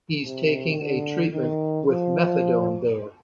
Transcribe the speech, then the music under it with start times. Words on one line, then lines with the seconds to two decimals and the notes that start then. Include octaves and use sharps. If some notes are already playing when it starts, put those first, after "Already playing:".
He’s taking a treatment with methadone there.
0.24 C3
0.78 D3
1.33 D#3
1.88 F3